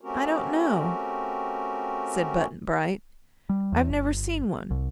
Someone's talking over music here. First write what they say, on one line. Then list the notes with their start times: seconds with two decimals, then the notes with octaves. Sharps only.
"I don't know," said Button-Bright; "I've never seen one."
0.01 A3 C4 C#4 F#4 G4 A#4
3.49 G3
3.72 E2
3.89 G1
4.71 C2